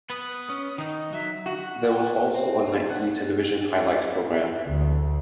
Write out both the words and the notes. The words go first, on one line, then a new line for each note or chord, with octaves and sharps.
There was also a nightly television highlight programme.
B3 B4 D#6
C#4
D#3 D#4
F#3 E5
F#4
C4
F2
F#5
D2